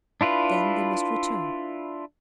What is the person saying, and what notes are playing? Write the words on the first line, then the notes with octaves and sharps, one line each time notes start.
Then they must return.
D4 E4 F4 B4